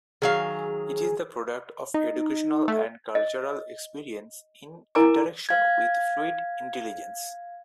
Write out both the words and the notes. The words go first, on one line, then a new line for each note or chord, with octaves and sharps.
It is the product of educational and cultural experience in interaction with fluid intelligence.
D#3 F#3 G#4 F5
D#4
A3
D#5
E4 A#4 G#5 A#5 D6
F5 G#6